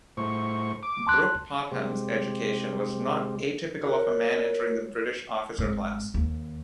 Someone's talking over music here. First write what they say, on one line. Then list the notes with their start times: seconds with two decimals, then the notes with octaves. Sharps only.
Brooke-Popham's education was not atypical of a man entering the British officer class.
0.17 A2 C5 C#6
0.83 D6
1.07 A5 C6 F#6
1.72 C3 G#3 G4 C5
3.81 F4 F#4 A#4 C#5
5.58 G#1
6.14 D#2